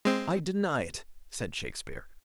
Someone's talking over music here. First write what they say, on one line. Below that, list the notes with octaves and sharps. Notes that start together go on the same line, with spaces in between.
"I deny it," said Shakespeare.
G#3 C4